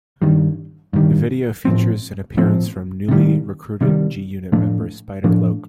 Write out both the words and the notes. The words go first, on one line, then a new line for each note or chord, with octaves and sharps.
The video features an appearance from newly recruited G-Unit member Spider Loc.
G2 D#3 G3
G2 D#3 G3
A2 F3 C4
A2 F3 C4
C3 D#3 G3
C3 D#3 G3
A2 F3 A3 D4
A2 F3 A3 D4